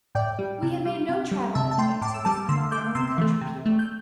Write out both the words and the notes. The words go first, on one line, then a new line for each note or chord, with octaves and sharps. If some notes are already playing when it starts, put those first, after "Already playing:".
We have made no traveling acquaintances among our own country people.
A2 D5 G5
G3
C3
G3
C3
G3
C3 E5 A5
A5
A3 G5 C6
A2 A5 D6
E6
G3 A5 D6
D3 C6 E6
A3 D6 G6
C3 C6 E6
E3 A3
C3
A3
G6